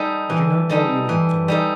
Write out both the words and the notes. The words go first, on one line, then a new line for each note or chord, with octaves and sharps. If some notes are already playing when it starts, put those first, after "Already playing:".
"I do not know what you mean, Philip."
Already playing: G3 D#4 A4
E3
G3 D#4 A4
E3
G3 D#4 A4